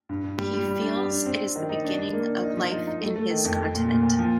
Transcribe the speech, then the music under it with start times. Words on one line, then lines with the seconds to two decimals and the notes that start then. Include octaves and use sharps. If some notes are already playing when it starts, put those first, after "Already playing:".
He feels it is the beginning of life in his continent.
0.09 G2
0.24 G2
0.38 G3
0.53 G3
0.68 G3
0.81 D4
0.97 G4
1.11 D4
1.26 C4
1.40 C4
1.56 D#3
1.69 D#4
1.85 D4
1.98 D4
2.13 A#3
2.28 D4
2.43 D#4
2.57 F3
2.71 D#4
2.87 D#4
3.01 A3
3.16 A3
3.30 D#3
3.45 F2
3.59 A3
3.75 A#2
3.89 A#2
4.03 A#2
4.19 F3